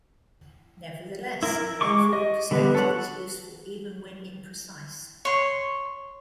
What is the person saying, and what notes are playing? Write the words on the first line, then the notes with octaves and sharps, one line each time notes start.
Nevertheless, an overall perspective is useful even when imprecise.
E4 A#4
G#3 C#6 D6
D#5
D3 G3 B3 B4
A4 C#5 F#5
C#5 C6